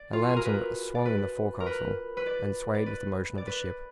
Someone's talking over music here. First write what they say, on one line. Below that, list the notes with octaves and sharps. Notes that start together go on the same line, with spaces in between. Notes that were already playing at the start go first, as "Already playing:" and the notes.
A lantern swung in the forecastle, and swayed with the motion of the ship.
Already playing: D5
F4
F#4
G#4
A#4
B4
D5
B4
A#4
B4
B4
D5
D5
B4
D5
B4